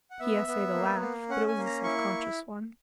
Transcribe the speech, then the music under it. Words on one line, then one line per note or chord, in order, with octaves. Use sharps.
He essayed a laugh, but it was a self-conscious one.
F#5
B3 E5
B3
A#3
A#3
C#4 F#5
G#5
A#3
A#5
E4 C#6